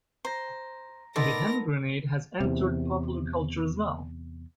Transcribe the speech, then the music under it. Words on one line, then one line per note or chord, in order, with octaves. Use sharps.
The Hand Grenade has entered popular culture as well.
C5 A#5 A#6
B3 D#4 A4 A#4 D5 C6 A#6
E2 C3